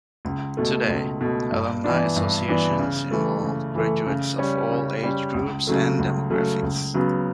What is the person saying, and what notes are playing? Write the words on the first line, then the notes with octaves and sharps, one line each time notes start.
Today, alumni associations involve graduates of all age groups and demographics.
C#2
B2 A3
C#2
B2 A3
G2
E3 B3 D4
G2
E3 B3 D4
C#3
E3 A3
C#3
E3 A3
C#3
G3 C#4
C#3
G3 C#4
C#2
C#3 F#3 A3
C#2
C#3 F#3 A3
C#2
C#3 F#3 B3